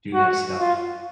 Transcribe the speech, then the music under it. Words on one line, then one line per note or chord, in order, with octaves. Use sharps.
do that stuff
F#4
F4